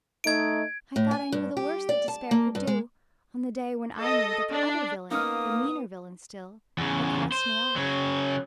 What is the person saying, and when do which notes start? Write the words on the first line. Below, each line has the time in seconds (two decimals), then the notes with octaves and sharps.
I thought I knew the worst that despair could do on the day when I knew that the other villain, the meaner villain still, had cast me off.
0.24 A3 D#4 G#6 D7
0.96 A2
1.11 G#5
1.32 G2
1.57 G4
1.89 D5
2.08 A5
2.31 A#3
2.55 G2
2.67 G#3
3.99 A4 D#5
4.51 D4
5.11 A#3 B3 C#4 D#4 F5 D#6 F6
6.78 E2 C#3
7.32 C5
7.76 C#3 F#3